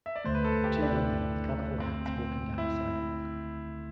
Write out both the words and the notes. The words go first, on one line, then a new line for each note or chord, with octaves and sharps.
Two women with colorful hats walking down a sidewalk.
E5
D5
D2 D3 A3 C5
B4
A4
G4
E4
D4
C4
C4
E4